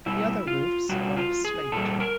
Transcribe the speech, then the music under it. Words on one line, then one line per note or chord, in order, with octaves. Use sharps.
The other roofs are of slate.
B2 G3 E4
F4
B2 G3 F#4
F4
G#4
A#2 G3 A4
A#4